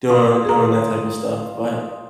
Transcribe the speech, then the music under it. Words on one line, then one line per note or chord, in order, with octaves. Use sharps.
doing doing that type of stuff, but
F4 D#5
G#4 A#5